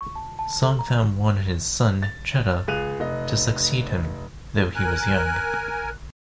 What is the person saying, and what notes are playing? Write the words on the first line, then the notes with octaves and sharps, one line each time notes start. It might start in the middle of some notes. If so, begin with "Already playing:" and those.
Songtham wanted his son, Chettha, to succeed him, though he was young.
C#6
A5
A5
A4
A#5
A6
C#2 G#4 F#6 D#7 F7
F1 D#5
A#4 G#5 F#6